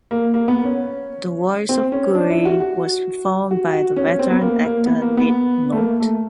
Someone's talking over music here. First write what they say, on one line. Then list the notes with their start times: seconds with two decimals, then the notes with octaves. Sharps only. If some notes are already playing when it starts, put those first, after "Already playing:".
The voice of Kuiil was performed by veteran actor Nick Nolte.
0.11 A#3
0.34 A#3
0.48 B3
0.64 C#4
1.69 C4
1.92 C#4
2.15 D4
2.30 E4
2.45 F#4
2.60 F#4
3.51 F#4
3.73 F#4
3.96 C#4
4.07 C#4
4.19 C4
4.31 B3
4.41 A#3
4.65 A#3
4.86 B3
5.02 A#3
5.17 B3
5.72 A3
5.77 A#3
6.00 A3